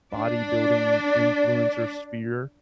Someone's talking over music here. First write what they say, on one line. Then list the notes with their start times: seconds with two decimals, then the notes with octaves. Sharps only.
bodybuilding influencer sphere
0.11 D4 D5